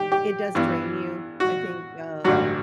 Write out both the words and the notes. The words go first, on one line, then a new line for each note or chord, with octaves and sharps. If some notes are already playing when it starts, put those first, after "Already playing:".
It does drain you, I think, um,
Already playing: G4
G4
G2 E3 B3
F#4
A1 G2 D3 F#3 F#4